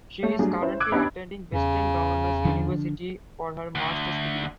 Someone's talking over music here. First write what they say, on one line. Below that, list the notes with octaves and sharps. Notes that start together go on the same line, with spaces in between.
She is currently attending Western Governors University for her master's degree.
A3 C#5
F#3 G3 A3 D4 G#4
C#4 E4 B4 C5
D6 E6 F#6 G#6 D7
B3 C#4 D4 G4 D#5 B5
E2 C#3
D3 F3 D4
D2